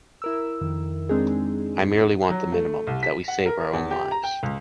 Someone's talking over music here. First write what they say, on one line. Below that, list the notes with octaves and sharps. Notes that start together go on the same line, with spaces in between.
I merely want the minimum—that we save our own lives.
E4 A#4 E6
F2 D#3
G#3 C4 D4 D#4 G#4
F#3
A3
C2
B6
F#5
A#4
E2
G4
A#5
G5
C#2